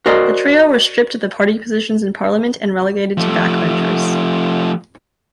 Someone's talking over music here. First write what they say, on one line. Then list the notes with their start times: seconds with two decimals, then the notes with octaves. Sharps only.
The trio were stripped of the party positions in Parliament and relegated to backbenchers.
0.06 F#4 A#4 C5 D5 D#5
3.18 F3 A3